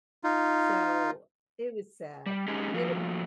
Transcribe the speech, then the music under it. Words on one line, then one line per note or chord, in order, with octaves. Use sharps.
So, it was sad. It
D#4 F4
G3
G#3 C#4 D#4 G4 G#4
F3 A3 A#3 F#4